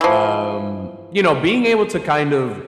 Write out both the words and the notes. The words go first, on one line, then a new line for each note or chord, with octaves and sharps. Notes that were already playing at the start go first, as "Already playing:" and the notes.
Um, you know, being able to kind of
E3 F3